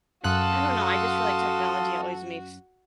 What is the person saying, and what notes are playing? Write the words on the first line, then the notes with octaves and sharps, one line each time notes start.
I don't know, I just feel like technology always makes
F#2 F#4 A4 F5 C6 D#6 F#6